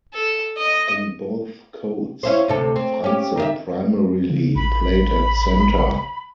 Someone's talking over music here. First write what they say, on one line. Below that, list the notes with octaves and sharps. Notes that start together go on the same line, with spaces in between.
In both codes, Franze primarily played at centre.
A4
D#5
C#4 E4 C5
D2 C3 A4
C4
C#4 G4
D#3 D#5 E5
C#3
A1 B5